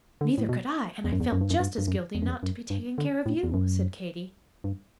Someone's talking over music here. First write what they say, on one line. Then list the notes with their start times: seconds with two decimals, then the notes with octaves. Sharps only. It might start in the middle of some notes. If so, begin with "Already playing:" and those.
"Neither could I, and I felt just as guilty not to be taking care of you," said Katy.
0.21 D3
0.38 A2
0.49 B2
1.04 E2
1.12 F#2
1.20 E2
1.32 F#2
1.41 G2
1.50 F#2
1.60 G2
1.78 G2
1.87 F#2
2.15 E2
2.22 F#2
2.29 E2
2.43 F#2
2.70 G2
2.98 D3
3.26 A2
3.43 E2
3.54 F#2
4.64 G2